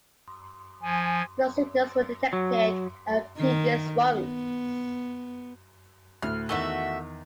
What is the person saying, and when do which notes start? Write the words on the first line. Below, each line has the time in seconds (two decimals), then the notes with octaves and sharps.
No signals were detected on previous runs.
0.82 F3 G#5
2.33 F#3
3.38 D#3
4.02 B3
6.22 D2 A2 F6
6.49 E2 D#3 A3 F#4 E5